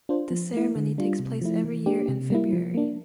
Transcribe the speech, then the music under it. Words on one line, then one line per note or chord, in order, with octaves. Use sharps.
This ceremony takes place every year in February.
D4 F4 C5
F3
A3 E4
D3
G3 D4 F4
C3
F3 A3 E4
E3
A#3 D4 G4
C3
G3 A#3 E4
F3
A#3 D4